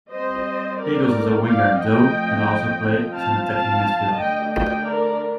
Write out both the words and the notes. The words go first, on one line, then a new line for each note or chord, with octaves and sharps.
Eagles is a winger, though can also play as an attacking midfielder.
G3 C4 C5 D#5
A#4 D5
F3 A3 C4 D5 F5
D#5 G5
F3 C4
F5 A5
F5 A5
D3 A3 D4 D#5 G5
D#5 G5
A#4 D5